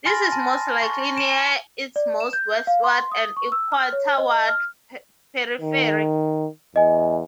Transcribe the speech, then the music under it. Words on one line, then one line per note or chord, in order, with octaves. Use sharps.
This is most likely near its most westward and equatorward periphery.
G#5 B5 C6 F6 A6 A#6
A5
C#6
D7 E7
D5
E7
G6
F5
C6
D#6
C#6
E6
F6
C#5
D#5
F6
D#3
E2 D#5 G#5